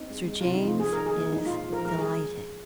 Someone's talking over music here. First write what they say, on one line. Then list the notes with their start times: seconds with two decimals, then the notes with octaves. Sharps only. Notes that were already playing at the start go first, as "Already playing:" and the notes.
Sir James is delighted.
Already playing: C4 D#4
0.10 G#3
0.27 G#3
0.41 C3 F4
0.54 D#4
0.62 F3 F4
0.80 F4 G#4
0.93 D#3 A#4
1.06 G#4
1.15 A#3
1.33 G#3 D#4
1.46 A#2 F4
1.69 F3 A#4
1.85 G#3 A#4
1.98 G#4